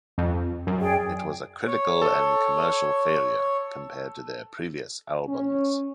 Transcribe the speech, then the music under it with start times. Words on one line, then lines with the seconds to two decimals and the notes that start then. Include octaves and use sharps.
It was a critical and commercial failure compared to their previous albums.
0.18 F2
0.67 F#2
0.80 G#4 D5 G5
1.67 C#5
2.02 A4
5.27 C#4